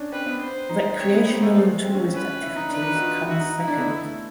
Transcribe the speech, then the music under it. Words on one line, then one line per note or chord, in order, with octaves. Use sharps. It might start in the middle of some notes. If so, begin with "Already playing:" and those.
Recreational and tourist activities come second.
Already playing: C#4 D4
C4 B4
B3
C5
D#4
C4 C#5
B3
A#3 C5
A3
G#3
C4
C#4
C#4 B4
E4
D#4
D4 B4
D#4
F#4
F4
E4 F#4
D#4
D#4 E4
D4
B3
A3